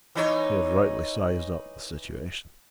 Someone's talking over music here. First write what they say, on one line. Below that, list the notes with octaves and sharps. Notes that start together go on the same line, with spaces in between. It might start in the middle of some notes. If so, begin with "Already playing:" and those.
He had rightly sized up the situation.
E3 D#4 C#5